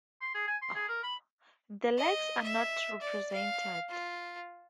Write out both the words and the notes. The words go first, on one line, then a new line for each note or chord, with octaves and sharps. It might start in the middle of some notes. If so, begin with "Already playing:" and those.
The legs are not represented.
C6
G#4
G#5
C6
G#4
A#4
B5
D#5
E5
D5
F5
F4